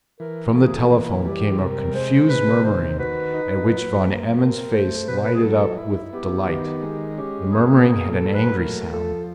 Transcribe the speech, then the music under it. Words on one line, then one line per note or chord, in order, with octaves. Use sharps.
From the telephone came a confused murmuring, at which Van Emmon's face lighted up with delight. The murmuring had an angry sound!
E3 A#4
A#3 A4
G#4
A4
E3
G3 G4
C3 A#4
G#3 C5
C3 B4
D#3 C5
F#4 B4
D#4
F#3
A#3
C4 A#4
A3 C5
B2 B4
C5
B4
G#4
F#3 A4
E4
B3 G4
D#3
G#3
C#4 G4
A#3 G#4
A#2 G#4
A4
F#3
B4
A3 A#4
F3 A4